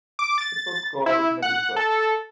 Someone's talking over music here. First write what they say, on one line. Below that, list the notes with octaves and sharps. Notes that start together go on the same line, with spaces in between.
It was called Medusa.
D6
A6
E4
F#5
A4